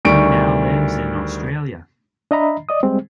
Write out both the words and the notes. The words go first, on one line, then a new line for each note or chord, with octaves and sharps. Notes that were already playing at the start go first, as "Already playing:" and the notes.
He now lives in Australia.
D2 D#3 G3 C#6 D7
D4 D#5 E5 A#5 B5
D5 D#5 D#6
G3 G#3 C4